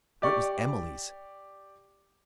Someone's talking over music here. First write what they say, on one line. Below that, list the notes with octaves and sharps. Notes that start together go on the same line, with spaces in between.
For it was Emily's!
G4 D5 C#6